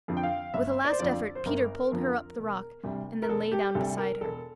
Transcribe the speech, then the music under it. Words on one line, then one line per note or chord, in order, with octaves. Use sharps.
With a last effort Peter pulled her up the rock and then lay down beside her.
F2 D3 F3
G5
F5
G1 E5
D5
C5
F2 D3 F3 D5
C5
G1 A#4
F2 D3 F3
E1
D2 C3 G3
A#4
E1 A4
G4
D2 C3 G3 A4
A#4
E1 A4